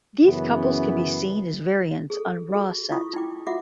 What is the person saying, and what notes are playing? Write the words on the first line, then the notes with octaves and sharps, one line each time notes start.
These couples can be seen as variants on Ra-Set.
F#2 C#3 E3 B3
G#4 A4
F#4 G#4
E4 F4 C#6 D#6
D#4 E4 G5 D6
F4 F#4 E5 F#5 D6